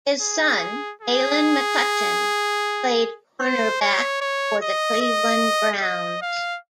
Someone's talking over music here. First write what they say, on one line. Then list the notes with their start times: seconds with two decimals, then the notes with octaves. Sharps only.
His son Daylon McCutcheon played cornerback for the Cleveland Browns.
0.21 G#4
1.01 G#4
3.42 C5
3.81 C#5
4.21 C#5
4.62 D#5
5.01 D#5
5.82 D#5
6.22 F5